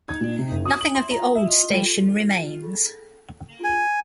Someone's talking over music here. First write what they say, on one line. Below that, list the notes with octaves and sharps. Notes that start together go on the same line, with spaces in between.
Nothing of the old station remains.
G#6
A#2
C3
F#1
D#6
F#7
C6
A#5
E5
D#5
G3
G#5